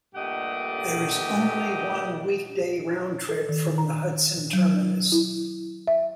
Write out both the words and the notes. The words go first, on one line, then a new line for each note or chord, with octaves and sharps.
There is only one weekday round trip from the Hudson terminus.
G2 A#2 A3 G4 D#5 F#5
A4
D#3
A#5
F#3
E4
E5